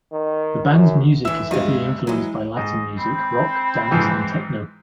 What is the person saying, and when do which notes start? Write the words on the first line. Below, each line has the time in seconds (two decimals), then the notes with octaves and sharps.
The band's music is heavily influenced by Latin music, rock, dance, and techno.
0.12 D#3
0.69 F#2
1.25 D3 E3 E5 E6
1.51 G2 G3 G#3 D#5 F5
2.07 E3 F#3 G#3
2.57 G#2 D#5
2.98 C4 B5 G6
3.91 G#2 E3 F3